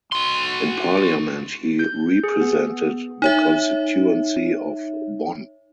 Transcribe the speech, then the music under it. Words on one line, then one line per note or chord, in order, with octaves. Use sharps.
In Parliament he represented the constituency of Bonn.
F#4 C6
G6
G#4
B3
D#4 C#5 E5